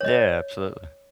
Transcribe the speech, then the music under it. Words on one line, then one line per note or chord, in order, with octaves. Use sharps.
Yeah, absolutely.
C#5 D#5